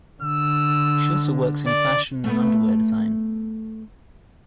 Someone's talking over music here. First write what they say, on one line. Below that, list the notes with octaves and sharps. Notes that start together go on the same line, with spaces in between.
She also works in fashion and underwear design.
D3 E6
D5
A3 B3